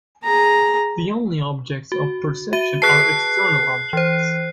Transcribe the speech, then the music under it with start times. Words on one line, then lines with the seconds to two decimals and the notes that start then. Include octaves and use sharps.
The only objects of perception are external objects.
0.24 G#4 A#5
1.92 F#4
2.53 F#4 E5 D#7
2.82 G#4 B4 A5 F#6 C7
3.93 E3 C5